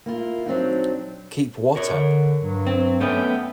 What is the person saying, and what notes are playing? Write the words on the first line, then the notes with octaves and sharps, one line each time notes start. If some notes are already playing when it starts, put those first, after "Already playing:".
Keep what up?
A#3 E4 F4
F#3 C4 D4 D#4
A#4 C#5
D3
G2 F#3
C4
A3 B3 C#4 E5 G5